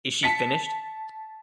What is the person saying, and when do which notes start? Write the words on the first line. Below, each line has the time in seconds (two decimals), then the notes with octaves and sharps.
Is she finished?
0.23 A5 B6 C#7